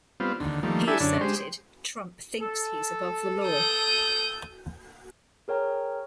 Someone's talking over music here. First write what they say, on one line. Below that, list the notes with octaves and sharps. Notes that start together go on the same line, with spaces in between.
He asserted, "Trump thinks he's above the law".
G3 B3 C4 F4
D#2 D3
D#3 F3 G3 A3 A#3
D4 E4 G4 A4 E5 G#5
F#2 D3 C#4 D4
G#3 G4 C5
A4
D#6 G6
G#4 A#4 C#5 G5 A#5